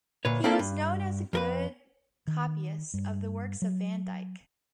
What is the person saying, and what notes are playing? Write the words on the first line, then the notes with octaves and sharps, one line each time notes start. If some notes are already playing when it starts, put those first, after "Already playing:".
He was known as a good copyist of the works of Van Dyck.
D2 A#2 B4 C#5
A#3 C4 D4 E4 A4 D5
G2
F2 A#4 B4
D#3
G2
F#3